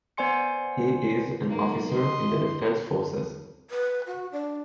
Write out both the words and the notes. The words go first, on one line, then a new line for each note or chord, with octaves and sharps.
He is an officer in the Defence Forces.
B3 C5 D5 G#5 C6 C#7
B1 A#3
D#5 C6
E3
B4
F#4
D4